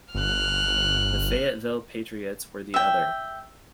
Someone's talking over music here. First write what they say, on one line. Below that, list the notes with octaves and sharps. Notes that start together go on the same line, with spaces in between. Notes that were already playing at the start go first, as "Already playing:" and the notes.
The Fayetteville Patriots were the other.
G1 F6 F#6
E5 G5